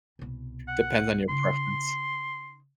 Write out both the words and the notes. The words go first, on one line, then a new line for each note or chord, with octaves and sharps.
depends on your preference.
C2 B2
F#5
C#3 D#4 C6